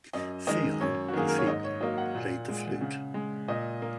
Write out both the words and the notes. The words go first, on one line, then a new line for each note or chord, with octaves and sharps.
Theon the Theban played the flute.
F#2 D#5
D#3 G#3 D#5
F#2 C#5
F#4
D#3 F#3 A#3 G#4
A#4
C#5
G#2 D#5
C#5
F#3 A#3 D#5
F#5
A#2
G#3
C#3
G#3
A#2 D#5
A#3